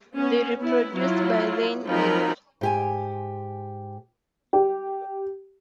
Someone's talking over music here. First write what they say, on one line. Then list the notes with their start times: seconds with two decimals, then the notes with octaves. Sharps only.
They reproduce by laying eggs.
0.16 B3 C#4
0.61 B3 E4
0.95 F#3 E4 F4
1.88 F3 F#3 C4 D#4 A#4 B5
2.61 G#2 G4 G#5
4.53 G4